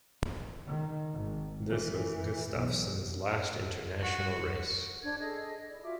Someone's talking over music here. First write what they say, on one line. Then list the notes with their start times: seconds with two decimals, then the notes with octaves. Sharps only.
This was Gustafson's last international race.
0.67 D#3
1.13 G#1
1.69 E3
2.53 B1
4.00 F#4
5.03 D4 C5 G#6
5.20 G#4 A4 D#5
5.69 E4 G#4 D5 D#5
5.83 F4 F#4 E5 D6